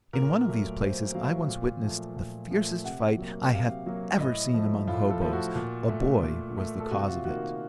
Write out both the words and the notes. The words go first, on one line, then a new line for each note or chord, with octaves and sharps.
In one of these places I once witnessed the fiercest fight I have ever seen among hoboes; a boy was the cause of it.
A#2 A#4
F#3 A3
A#2 C5
F#3 A3 F5
A#2
F3 A3
A#2
F3 A3
C3 F#5
F#3 A#3
C3 F5
F#3 A#3
A2 D#5
F3 A3
A2 F4
A4
F3 A3
F#4
A#2
A3
A#2
A3
A4
C3 F#4
F4
D#3 A#3 F#4
F5